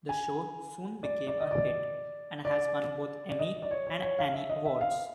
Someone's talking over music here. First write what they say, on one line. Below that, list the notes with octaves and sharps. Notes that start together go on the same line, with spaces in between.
The show soon became a hit and has won both Emmy and Annie awards.
G#5
D5
D5
D#5
D5
D5
D5
D#5
D5
C#5
C#5
C#5
F5
E5
D#5
E5
F5